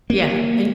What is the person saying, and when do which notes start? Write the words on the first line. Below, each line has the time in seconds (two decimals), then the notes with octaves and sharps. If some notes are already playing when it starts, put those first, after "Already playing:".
Yeah, and
0.10 A#3